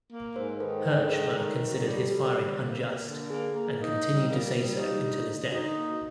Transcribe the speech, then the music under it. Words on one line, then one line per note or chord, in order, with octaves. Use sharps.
Herchmer considered his firing unjust, and continued to say so until his death.
A#3
G#2 A#4 C5
D#3 A4 B4
G#2 A4 B4
A4
D#3 G#4 A#4
D#3
F#3
G3 G4 A4
G3
D3
A#3
A#3
D3
A#3 G#4
A#3
D#4
G3
A#3
G3
D#4 G4
D3
D3
D#4 F#4
A#3